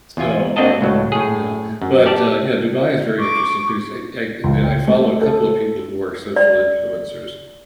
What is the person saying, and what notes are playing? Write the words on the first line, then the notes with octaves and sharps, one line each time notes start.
so, um you know? But, uh, yeah, Dubai is a very interesting piece. I I the, uh I follow a couple of people who are social influencers,
E2 F4 G#5
A#3 C4 D4 F#4 D#5 A5
C#2 A2 F#3
A2 G#4
F#2
G4 D5 A5
C#6 D6
C#2
G5
A3
A4
D5